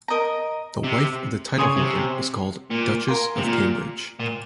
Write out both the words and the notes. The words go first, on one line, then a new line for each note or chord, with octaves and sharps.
The wife of the titleholder is called "Duchess of Cambridge".
A#4 D#5 A#5
C3
C#3 C#5 G#5 C6 D#6
C3
A#2
A#4 F5 G#5 C6
C3
A#2
A#2